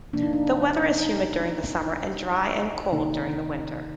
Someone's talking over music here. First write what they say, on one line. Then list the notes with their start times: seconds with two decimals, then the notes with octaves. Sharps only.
The weather is humid during the summer and dry and cold during the winter.
0.13 C3 F3 A#3 D4
0.23 D#4
0.33 D4
0.83 D#4
2.91 C3 D#3 A#3 D#4